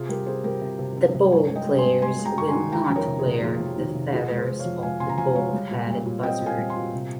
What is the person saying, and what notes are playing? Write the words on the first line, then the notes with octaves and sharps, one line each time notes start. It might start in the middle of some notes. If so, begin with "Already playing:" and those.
The ball-players will not wear the feathers of the bald-headed buzzard.
Already playing: C3 F4 G#4
G3 G4 A#4
C4 G#4 C5
G3 G4 A#4
C3
C3
C4
C3
G2 A#4 C#5
G#3
D#5 G5
G2
G#5 C6
G2
G#3 G#5 C6
G#3
G5 A#5
G2 C#6
G#5 C6
D#3
G#3 G5 A#5
F2
A#4 C#5
C3
G#4 C5
C3
F2 F4 G#4
F2
G4
D#3
F4
C3
F3 F4 G#4
G#3
G#4 C5
G#3
C#5 F5
F2
G#3 F5 G#5
C#3 G#5 C6
A#5
F2 F5 G#5
G#3 C#5 F5
G3
A#2
G3
A#2
C4 D#5 G5
A#2
F5 G#5
G3
G#5 C6
A#2
C3